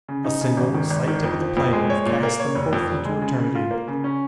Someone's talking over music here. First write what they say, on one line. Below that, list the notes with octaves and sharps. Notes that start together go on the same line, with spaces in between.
A single slight tip of the plane would have cast them both into eternity.
C#3
D#4
C#3
G#1
D#3
G#1
D#3
F2
F3
F2
G#3
C#5
A#2
A#3
C#5
F1
F2
F1
G#3
C#3
C#3
F4
A#3
C#3
C#4